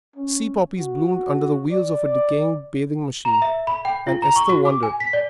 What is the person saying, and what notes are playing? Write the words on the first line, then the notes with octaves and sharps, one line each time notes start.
Sea-poppies bloomed under the wheels of a decaying bathing-machine, and Esther wondered.
C#4
F#4
D5
A#5
E5
B5
G5
F4
A#5
C#6
F#4
D6
G#5
B6
D5